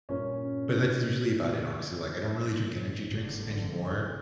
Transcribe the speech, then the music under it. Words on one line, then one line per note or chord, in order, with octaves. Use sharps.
but that's usually about it, honestly. Like, I don't really drink energy drinks anymore.
G2 A#2 C#4 A#4
G1 D3